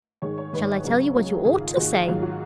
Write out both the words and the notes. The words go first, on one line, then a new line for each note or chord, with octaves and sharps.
"Shall I tell you what you ought to say?"
G#2 D#3 G#3 C#5
C#5
G#2 D#3 G#3 B4
D#5
C#2 C#3 F#3 C#5
C#2 C#3 F#3
G#2 D#3 G#3 G#4
F4
G#2 D#3 G#3 F#4
G#4
G#2 D#3 F#3 F4
F#4